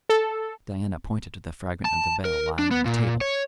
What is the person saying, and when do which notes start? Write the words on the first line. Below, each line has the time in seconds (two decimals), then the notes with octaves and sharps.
Diana pointed to the fragment of the veil lying on the table.
0.09 A4
1.85 A5
2.25 A#4
2.59 D4
2.71 B3
2.85 A#2
3.21 C#5